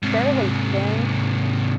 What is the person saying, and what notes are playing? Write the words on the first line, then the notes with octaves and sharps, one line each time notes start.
fairly thin
G#2 C3